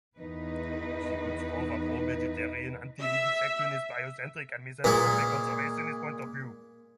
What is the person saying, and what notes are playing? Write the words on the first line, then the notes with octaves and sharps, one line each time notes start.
She puts forth a pro-vegetarian, anti-vivisectionist, biocentric, and misanthropic conservationist point of view.
E2 D#3 E3 D#4 B4
E5
A#2 G#3